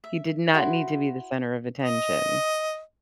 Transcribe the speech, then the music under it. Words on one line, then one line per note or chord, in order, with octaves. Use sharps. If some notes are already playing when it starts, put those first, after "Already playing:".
He did not need to be the center of attention.
E5
E4 F#4 C5
D#5